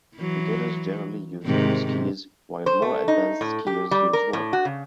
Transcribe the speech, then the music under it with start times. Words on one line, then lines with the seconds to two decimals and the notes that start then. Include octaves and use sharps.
Beginners generally use two skis while more advanced skiers use one.
0.16 E3 F#3
1.43 G#2 C3 D#3
2.66 C5
2.82 A3
3.08 D#4
3.41 A2
3.67 G4
3.91 G3
4.13 A#4
4.33 A2
4.53 F#4
4.65 C#3